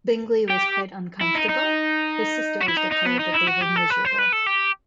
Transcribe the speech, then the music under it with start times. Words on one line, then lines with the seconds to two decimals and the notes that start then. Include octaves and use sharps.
Bingley was quite uncomfortable; his sisters declared that they were miserable.
0.50 G4
1.21 E4
1.35 D#4
1.49 D#4
2.61 F#4
2.68 E4
2.77 D#4
2.91 D#4
3.05 B3
3.19 D#4
3.34 E4
3.47 F#4
3.61 G4
3.76 A4
3.90 B4
4.05 C5
4.19 B4
4.32 A4
4.46 G4